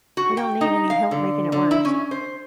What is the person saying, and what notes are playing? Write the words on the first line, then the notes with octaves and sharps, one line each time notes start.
We don't need any help making it worse.
F#4
G5
D#4
F5
D3
D3
E4
C#4
C5